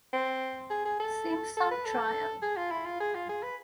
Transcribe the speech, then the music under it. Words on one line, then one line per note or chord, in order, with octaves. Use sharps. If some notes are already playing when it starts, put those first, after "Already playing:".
Simpson trial.
C4
G#4
G#4
A4
A4
B4
A4
G#4
F4
E4
F4
G#4
F4
G#4
B4